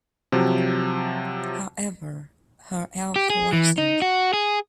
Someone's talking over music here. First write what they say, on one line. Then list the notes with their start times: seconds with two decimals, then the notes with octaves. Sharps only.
However, her health worsened.
0.32 C3 F3 F#3
3.16 G4
3.30 G#4
3.53 E3
3.78 D#4
4.02 F#4
4.33 G#4